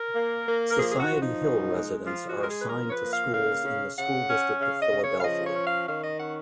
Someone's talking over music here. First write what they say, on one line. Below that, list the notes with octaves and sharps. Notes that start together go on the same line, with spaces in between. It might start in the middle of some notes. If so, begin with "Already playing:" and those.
Society Hill residents are assigned to schools in the School District of Philadelphia.
Already playing: A#4
A#3
A#3
A#4
F3 G#4
G#4
F#4
F3
D#4
B2
G#3
F3 F4
F#4
G#3
A#4
G#4
B4
F3 A#4
C#5
B4
A#3
F5
C#3 F5
C#3
C#3 F#5
C#4
C#3 F5
D#5
C#3
C#5
F5
F3 D#5
C#5
C#4
F5
D#3 F5
D#5
C#4 F#5